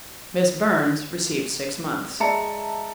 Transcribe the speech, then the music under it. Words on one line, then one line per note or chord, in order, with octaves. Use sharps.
Miss Burns received six months.
G#3 D5 E5 A5 A#5 C#7